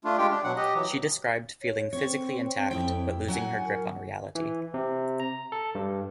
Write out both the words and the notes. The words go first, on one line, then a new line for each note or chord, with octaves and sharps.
She described feeling physically intact but losing her grip on reality.
A3 D4 F4
G#3 F4 G4 G5
D4
B2 F#3 F#5
G4 D#5
E3 F#3
C#5
C4 C#5
F2 E4 G5
F#3 F#5 G#5
A#4
E3
C3
A#5
A4
G2